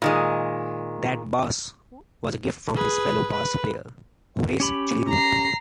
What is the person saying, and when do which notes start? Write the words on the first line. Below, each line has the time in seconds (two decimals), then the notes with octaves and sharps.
That bass was a gift from his fellow bass player Horace "Chili" Ruth.
0.02 A#2 D#3 G#3
2.75 G#4 B4
3.31 B4
4.60 C#4 G4 B5
5.09 A#5 C7